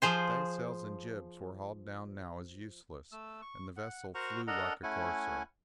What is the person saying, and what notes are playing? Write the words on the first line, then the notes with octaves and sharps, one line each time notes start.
The staysails and jibs were hauled down now as useless, and the vessel flew like a courser.
F3 G#4 C5
A3 E6
C#6
F#5
F#4 A#4 C5 F#5 A#5 C#6
D4 A4 A#4 D#5 F#5 A#5
A3 C#4 E4 F#5 G#5